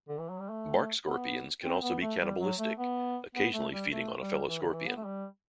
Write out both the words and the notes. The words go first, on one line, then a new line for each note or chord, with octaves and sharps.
Bark scorpions can also be cannibalistic, occasionally feeding on a fellow scorpion.
D3
E3
F#3
G3
A3
B3
C4
B3
A3
G3
F#3
A3
B3
B3
A3
G3
A3
G3
E3
D3
E3
B3
A3
G3